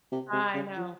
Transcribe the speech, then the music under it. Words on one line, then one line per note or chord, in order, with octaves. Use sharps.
I know.
C3
C3
C#3
F3